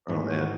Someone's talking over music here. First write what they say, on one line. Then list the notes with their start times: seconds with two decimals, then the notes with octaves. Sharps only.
Aw, man.
0.09 G#1 G#2 E3 A3
0.30 F#4